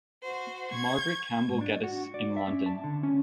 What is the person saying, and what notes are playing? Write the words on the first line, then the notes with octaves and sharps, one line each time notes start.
Margaret Campbell-Geddes in London.
F#4 C5
C#6 G#6
G#2
D4
F#4
D5
E5
C#4
A5
D3
C#4